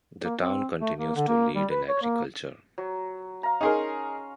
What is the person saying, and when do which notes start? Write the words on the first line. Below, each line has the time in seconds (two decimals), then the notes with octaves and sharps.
The town continues to lead in agriculture.
0.24 A#3
0.40 C4
0.81 A3
0.97 A#3
1.16 D3
1.28 A#3
1.55 G3
1.71 B4
1.88 C#5
2.03 A#3
2.78 F#3
3.43 F5 A#5
3.61 C#4 D#4 G#4 A#4 C6